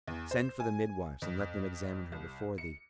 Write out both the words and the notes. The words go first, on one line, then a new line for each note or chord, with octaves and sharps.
Send for the midwives and let them examine her before thee.
E2
C5
G#5
F2
C2
C#7